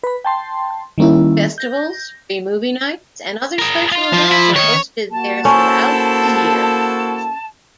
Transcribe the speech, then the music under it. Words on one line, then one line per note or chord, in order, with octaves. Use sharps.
Festivals, free movie nights and other special events are hosted there throughout the year.
B4 B5
G5 A5 C6
D#3 G3 A#3 C#4 E4
G6 A#6
G#4 A#4
F4 C6
F3
E4
D#3 D#4 C#5
A#3 F#4 A5
C#4 E4 A4 C5